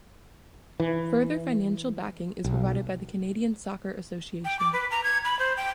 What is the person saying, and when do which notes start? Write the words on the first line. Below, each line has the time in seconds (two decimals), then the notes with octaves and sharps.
Further financial backing is provided by the Canadian Soccer Association.
0.80 E3
2.44 B1
4.45 G5
4.59 D6
4.73 B4
4.91 A#5
5.04 G#6
5.25 B5
5.39 C5
5.57 G5